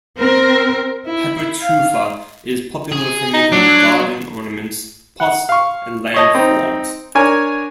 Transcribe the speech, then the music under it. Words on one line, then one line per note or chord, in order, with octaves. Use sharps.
Hypertufa is popular for making garden ornaments, pots and land forms.
C4 A#4
E4
F5
G#4
D#4
F#3 D4
F#5
F5 C#6
C#5 D#5 A5
C4 D#4
D4 A#4 C#5 G#5